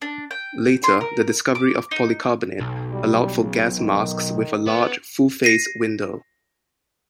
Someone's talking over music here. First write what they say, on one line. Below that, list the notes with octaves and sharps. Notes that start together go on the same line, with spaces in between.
Later, the discovery of polycarbonate allowed for gas masks with a large full-face window.
D4
G5
C6
A#4
D6
D#4
B1
G3
C#3
D#3
B3
A#6 C7 D#7